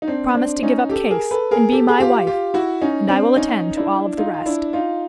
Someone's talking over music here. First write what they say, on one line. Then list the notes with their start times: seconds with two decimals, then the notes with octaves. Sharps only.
Promise to give up Case, and be my wife, and I will attend to all of the rest.
0.02 D#4
0.08 C4 D4
0.35 C4 D4
0.63 C#4 D#4
0.89 G4 A4
1.10 G#4 A#4
1.31 A4 B4
1.51 G#4 A#4
1.72 G4 A4
1.88 G#4
2.00 F4 G4
2.27 F4 G4
2.54 E4 F#4
2.81 C#4 D#4
3.09 C4 D4
3.36 C#4 D#4
3.77 D4 E4
4.18 D#4 F4
4.34 F4
4.46 D4 E4
4.73 D#4 F4